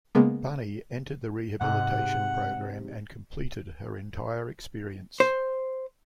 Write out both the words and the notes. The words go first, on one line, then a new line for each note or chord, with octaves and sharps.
Bunny entered the rehabilitation program and completed her entire experience.
C#3 G#3 A#3 B3
G#2 C3 F#5
C5